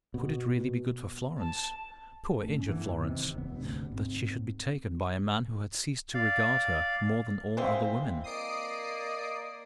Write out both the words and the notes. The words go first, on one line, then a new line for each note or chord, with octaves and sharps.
Could it really be good for Florence--poor injured Florence, that she should be taken by a man who had ceased to regard her more than all other women?
B2
A5
G#1 A3 C#4
G2 E3 B3
C3 D#3
F1 D#2 C3 B3
G#1 D2 C3 B3
G#2 C4
D5 F5
E3 G#3 C4 C5 E5 F5
A#3 D5 D#5 D#6 C7 D7